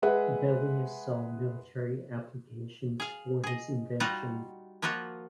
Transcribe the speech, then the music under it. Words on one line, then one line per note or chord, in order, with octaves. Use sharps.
Hevelius saw military applications for his invention.
G#3 G#4 B4 E5 F#5
G#4 F5
G#4 D#5
G3 D#4 F4 F#4 F#5
F3 A#3 F4 F#4 F#5